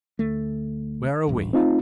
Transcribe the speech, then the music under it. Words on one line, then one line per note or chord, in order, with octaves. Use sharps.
Where are we?
D2 A3
D#1 A1 G2
A3 C4 D#4 F4